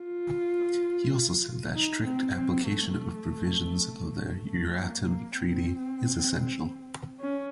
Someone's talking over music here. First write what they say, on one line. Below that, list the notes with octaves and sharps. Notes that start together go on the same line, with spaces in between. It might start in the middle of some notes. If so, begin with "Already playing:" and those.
He also said that, strict application of provisions of the Euratom Treaty is essential.
Already playing: F4
D#4
C4
C4
A3
A3
A#3
A#3
C4
C#4